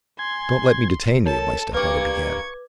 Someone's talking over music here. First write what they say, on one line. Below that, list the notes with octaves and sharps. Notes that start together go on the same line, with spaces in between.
"Don't let me detain you," my stepmother began.
G#5 C6 G#6
A4 A#4 C#5 A5
G2 A#3 B4 C#6 D6 G#6